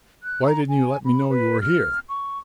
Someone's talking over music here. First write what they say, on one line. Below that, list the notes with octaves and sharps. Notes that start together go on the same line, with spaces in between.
Why didn't you let me know you were here?
F#6
A#5
G#5
B5
B4
F6
C#6